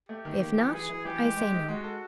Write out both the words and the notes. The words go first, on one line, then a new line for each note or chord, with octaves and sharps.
"If not, I say no."
A3 G4
D#3
A#3
E3
E3 G#4
E3
E3 G4
G#3
G#3
D#4
G#3 F#4
A4